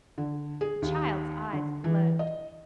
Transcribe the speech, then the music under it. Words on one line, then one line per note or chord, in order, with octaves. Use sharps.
The child's eyes glowed.
D3
G#4
D#2
D3
E3
D#5